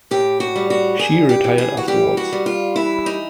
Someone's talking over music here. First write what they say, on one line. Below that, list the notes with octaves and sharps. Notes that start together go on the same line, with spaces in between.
She retired afterwards.
A2 G4
F#4
G3
F#4
G3 G#4
G4
E3
G#4
F#4
G3 G4
F#4
G3
F4
E3 E4
D#4